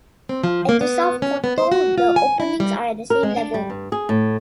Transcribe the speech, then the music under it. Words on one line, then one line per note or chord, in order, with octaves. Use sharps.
At the South portal the openings are at the same level.
C4
F3
A#3
B3
C#4
B3
C5
F#4
F4
G#5
E4
G3
A#4
G#3
D4
G3
G2
G#4
A2